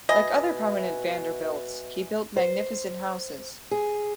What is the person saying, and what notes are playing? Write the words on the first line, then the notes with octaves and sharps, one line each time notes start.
Like other prominent Vanderbilts, he built magnificent houses.
B2 D#5 E5 G#5 B5
C5
G#4